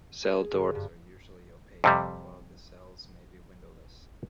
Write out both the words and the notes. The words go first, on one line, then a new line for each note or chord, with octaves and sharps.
Cell doors are usually opaque, while the cells may be windowless.
G#4
G1
G2
F2 C3 G3